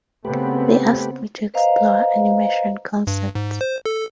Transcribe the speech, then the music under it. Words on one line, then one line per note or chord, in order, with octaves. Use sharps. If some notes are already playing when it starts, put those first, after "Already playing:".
They asked me to explore animation concepts.
C#3 A3 B3 C4 G4 B4
B4 C5 D#5 F5 A#5
G2
G#2
C5
A4